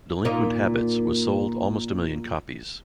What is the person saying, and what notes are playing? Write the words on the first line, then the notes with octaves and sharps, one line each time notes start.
"Delinquent Habits" was sold almost a million copies.
A#2 A#3 D#4